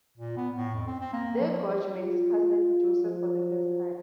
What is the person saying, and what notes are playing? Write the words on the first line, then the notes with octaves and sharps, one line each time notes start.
There George met his cousin, Joseph, for the first time.
A#2
B3
A2
F2
C4
C4
A#3
F3
F4
F3